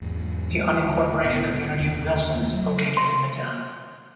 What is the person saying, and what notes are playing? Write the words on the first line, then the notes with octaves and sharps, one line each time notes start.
The unincorporated community of Wilson is located in the town.
E2 G#2
D#2 D3
C2 A2 B3
F1 D#2 D3 D#3
F#3
C6